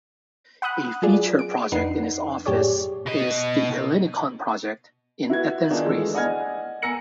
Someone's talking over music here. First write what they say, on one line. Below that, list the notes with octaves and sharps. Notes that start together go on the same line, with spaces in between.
A feature project in his office is The Hellinikon Project in Athens Greece.
F#5 B5 D#6 F#6
F#3 F4 G#4 D5
D7
F2 D4 D#4 B4 F#5 C7
F#2 A2 G4 G#4 C#5 D5
B2 D#5
E4 F#4 B4 G#6
D#3 D4 D#4 F4 G#4
E3 G#3 A3 E6
D5 D#5 F#5 G#5 F6 G#6
G#5 A#5 E6 A#6 C#7 F#7